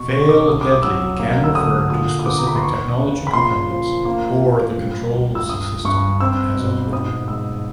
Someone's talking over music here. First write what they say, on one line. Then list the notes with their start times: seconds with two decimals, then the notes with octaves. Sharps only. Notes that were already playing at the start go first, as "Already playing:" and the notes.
Fail-deadly can refer to specific technology components, or the controls system as a whole.
Already playing: B2 C#6
0.11 C#4 C#6
0.22 C#6
0.29 D6
0.48 C2 D#6
0.61 D6
0.72 D#6
0.83 F#3 E6
1.19 A#3
1.44 E6
1.55 D3 D#6
1.90 A#2 D#6
2.19 D#6
2.26 B3 D6
2.38 A#5
2.47 B5
2.55 C6
2.62 D#2 C#6
2.98 C#3
3.27 B5
3.33 A#2 C6
3.70 F3
4.05 A#3
4.41 F3
4.78 G3
5.13 C#2
5.35 E6
5.49 G2 D#6
5.85 G2 C#6
6.20 C4 E6
6.56 B2
6.92 G#2 D#6
7.28 G#3 E6